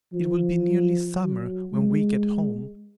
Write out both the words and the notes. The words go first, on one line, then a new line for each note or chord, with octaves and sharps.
It will be nearly Summer when we get home.
F3
F#3
G#3